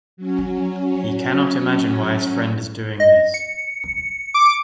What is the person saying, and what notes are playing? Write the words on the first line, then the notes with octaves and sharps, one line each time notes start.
He cannot imagine why his friend is doing this.
F#3 C#4
D#5
C#7
D6